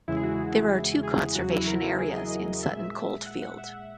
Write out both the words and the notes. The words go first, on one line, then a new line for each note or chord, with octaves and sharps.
There are two conservation areas in Sutton Coldfield.
E2 C#3 E3 G#3 E4
G#4
F#4
G#4
E2 C#3 F#3 F#4
E4
A#4
E4
G#4
D#5
D#5
A#2 G#3 E5
E5
F#5
F#5
E5